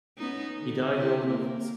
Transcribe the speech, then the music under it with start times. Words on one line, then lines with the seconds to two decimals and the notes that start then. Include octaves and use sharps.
He died while in office.
0.18 B3 C#4 D#4
0.58 D3
0.97 E4
1.27 A#3